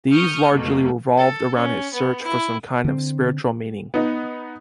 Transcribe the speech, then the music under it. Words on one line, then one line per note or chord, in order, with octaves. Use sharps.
These largely revolved around his search for some kind of spiritual meaning.
C#6 D#6 F6 G6
F2 B2 A3 A#3
A4
C#4
B3
E4
D3 C4
B3 D#4